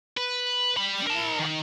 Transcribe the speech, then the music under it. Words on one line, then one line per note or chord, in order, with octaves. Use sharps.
you know,
B4
G3 B5
A#4 A5
D#3